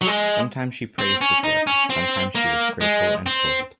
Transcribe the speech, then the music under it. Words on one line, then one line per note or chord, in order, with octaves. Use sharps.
Sometimes she praised his work; sometimes she was critical and cold.
F#3
G#3
C4
C#4
D#4
C#4
C4
A#3
G#3
C4